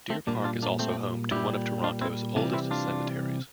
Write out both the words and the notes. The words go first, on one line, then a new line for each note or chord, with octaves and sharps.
Deer Park is also home to one of Toronto's oldest cemeteries.
A3 C4
A#2 G3 A#3 D4
D4 F4
A#3 D4
A3 C4
A#2 G3 E4 G4
D4 F4
C4 E4
C3 E3 G3 A#3 D4
C4 E4
D4 F4